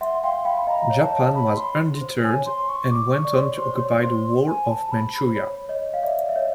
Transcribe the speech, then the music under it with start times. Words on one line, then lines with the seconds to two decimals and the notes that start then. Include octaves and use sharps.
Japan was undeterred and went on to occupy the whole of Manchuria.
0.01 E5 F#5 C6
0.23 F5 G5 C6
0.45 F5 G5 B5
0.67 D#5 F5 A#5
0.90 C#5
1.02 A5
1.13 C#5
1.35 B5
1.57 C6
2.01 C5
2.24 G#5
2.35 C#5
2.46 C6
2.69 C#6
2.91 D6
3.13 C#6
3.25 D5
3.35 C#5 C6
3.57 C5 C6
3.79 C#5
4.02 C5 C6
4.47 G#5
4.69 A5
4.92 B5
5.14 B5
5.27 C5
5.37 C#5
5.69 C#5 D#5
5.94 F5
6.03 D5 E5
6.29 E5
6.36 C#5 D#5